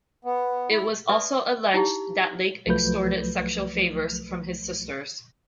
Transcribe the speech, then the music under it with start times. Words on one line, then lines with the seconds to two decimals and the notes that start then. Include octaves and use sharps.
It was also alleged that Lake extorted sexual favors from his sisters.
0.25 B3
0.70 E4
1.09 A4 B4 D5 E5
1.74 D#4 E4 G4
2.66 C2 F3 F#3 A3 B4 G6